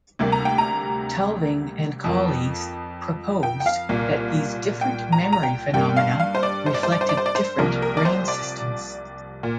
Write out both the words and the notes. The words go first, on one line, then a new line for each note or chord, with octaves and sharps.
Tulving and colleagues proposed that these different memory phenomena reflected different brain systems.
D2 C3 G3 A#3
A#5
G5
A#5
F2 F3 A#3
G5
G5
F5
C2 A#2 A#3
G5
A#5
A#5
G5
G2 G3 A#3 G5
F5
F5
C5
D5
C5
D5
C5
D5
C5
D5
C5
D5
C5
C2 C3 F3 A#3 A#4
A#4
D5
C5
D5
A#2